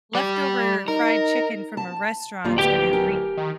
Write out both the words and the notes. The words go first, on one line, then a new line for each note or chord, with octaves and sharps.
leftover fried chicken from a restaurant's gonna re
G4 D5
D#4 A#4
A5
D1 G3 A#3 F4
D2 G4 B4 G5
A#4 G#5
D#3